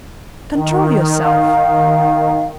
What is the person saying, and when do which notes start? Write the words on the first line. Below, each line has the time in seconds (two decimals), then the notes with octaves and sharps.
Control yourself!
0.53 D#3
1.23 F5